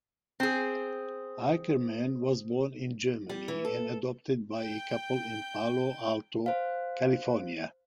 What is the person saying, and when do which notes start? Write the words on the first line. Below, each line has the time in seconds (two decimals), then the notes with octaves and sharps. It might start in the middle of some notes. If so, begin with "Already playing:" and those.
Ackerman was born in Germany and adopted by a couple in Palo Alto, California.
0.40 C4 G#4
3.29 G3
3.48 E3
3.65 A4
4.56 G5 G6
6.46 C5 F5